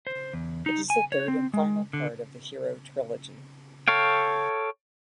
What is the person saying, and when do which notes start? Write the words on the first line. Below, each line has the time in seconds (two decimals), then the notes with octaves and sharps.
It is the third and final part of the "Hero Trilogy".
0.07 C5
0.34 E2
0.66 D#4
0.90 G#5
1.12 C#5
1.28 C4
1.54 G#3
1.93 D3
3.88 A4 C#5 F5 G5